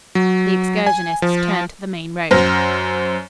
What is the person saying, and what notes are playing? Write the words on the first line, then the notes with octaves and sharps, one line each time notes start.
The excursionists turned to the main road.
F#3
G#5
F3
F#2 C5 F6 A#6